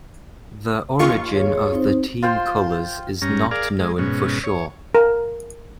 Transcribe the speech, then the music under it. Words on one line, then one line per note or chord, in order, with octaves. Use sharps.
The origin of the team colours is not known for sure.
D#2 F4 C#6
G#4 C#5
C4 D#4 C5
F4 C5 G5 C6
G2 C#4 A#5
G#4 A#4 D5 F5
G#3
G#2 B2 C#4
C#5
A#4